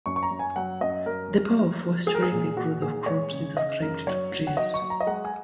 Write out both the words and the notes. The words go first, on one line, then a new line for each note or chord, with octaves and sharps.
The power of fostering the growth of crops is ascribed to trees.
F#2 C#6
C#6
A#5
F#2
G#5
F#3 F#5
F#2 D#5
F#3 A#4
F#3
F#3
F#3
G#3 G#4
A#4
G#4
A#2
A#2 F#4
A#2 G#4
G#3 C#5
C#3
C#3 D#5
F#2 A#4
F#3 C#5
F#3
F#5
F#3 D#5
C#6
F#3
A#5
D#5
G#3 F#5
G#5